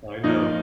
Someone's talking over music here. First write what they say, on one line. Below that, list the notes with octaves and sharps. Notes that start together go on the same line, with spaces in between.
I know.
F3 A#3 D#4